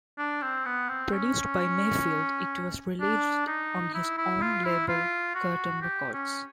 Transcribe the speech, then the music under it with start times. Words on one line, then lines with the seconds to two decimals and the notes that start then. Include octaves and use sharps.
Produced by Mayfield, it was released on his own label Curtom Records.
0.18 D4
0.42 C4
0.66 B3
0.89 C4
1.13 C#4
3.00 D4
3.47 D#4
3.94 E4
4.18 E4
4.41 F4
4.64 E4
4.88 F4
5.35 F#4
5.82 G4
6.13 C#4